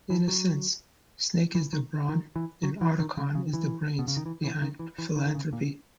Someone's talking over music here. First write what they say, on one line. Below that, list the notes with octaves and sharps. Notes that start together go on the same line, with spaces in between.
In a sense, Snake is the brawn and Otacon is the brains behind Philanthropy.
E3
F#3
E3
D#3
D#3
E3
F#3
E3
D#3
C#3
C#3
E3
B2
C#3
D#3
E3
E3
D#3
E3
E3
D#3
D#3
C#3
A#2